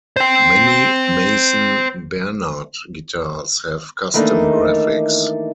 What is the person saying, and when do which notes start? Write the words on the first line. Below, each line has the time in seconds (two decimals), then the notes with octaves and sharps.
Many Mason Bernard guitars have custom graphics.
0.16 C5 G5
4.14 D#3 E3 A3 A#3 D4 D#4